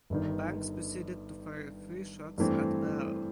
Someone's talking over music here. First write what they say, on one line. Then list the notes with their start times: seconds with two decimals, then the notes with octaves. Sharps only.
Banks proceeded to fire three shots at Bell.
0.10 G1 G2 D#3
2.38 G2 E3 A3 C4